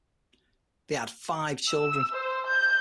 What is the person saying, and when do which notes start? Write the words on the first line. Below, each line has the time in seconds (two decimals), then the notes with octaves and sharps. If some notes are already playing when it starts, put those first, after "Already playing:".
They had five children.
1.69 E6
2.14 C5
2.47 G6